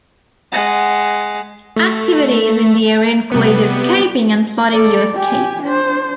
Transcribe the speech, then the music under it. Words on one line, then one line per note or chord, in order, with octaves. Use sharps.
Activities in the area include escaping and plotting your escape.
G#3 F#5
A3
C3 G3 B3
A4 D5
G4 G#5
D4 C5